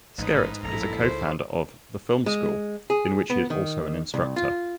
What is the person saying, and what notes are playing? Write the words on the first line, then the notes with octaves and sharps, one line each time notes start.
Skerritt is a co-founder of TheFilmSchool, in which he is also an instructor.
A1 G#2 D#4 B4 D#6
A#1 F#2 E4 A4 A#5
C#2 C5
G#3
G#4
B3
D#3
C2
F4